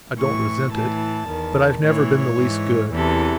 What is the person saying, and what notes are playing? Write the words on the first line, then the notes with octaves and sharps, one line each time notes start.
I don't resent it--but I have never been the least good.
A2 E3 C#6
A2 E3 A5
E2 D#3
A2 E3 C#5
G#2 E3
E2 C3 E3 A4